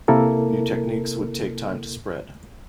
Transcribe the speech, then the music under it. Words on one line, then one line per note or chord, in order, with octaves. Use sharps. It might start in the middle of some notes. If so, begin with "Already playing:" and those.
New techniques would take time to spread.
C3 A#3 E4 A4 A#4